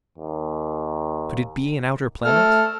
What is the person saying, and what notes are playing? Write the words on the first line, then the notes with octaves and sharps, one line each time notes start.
Could it be an outer planet?
D#2
A3 A4 F6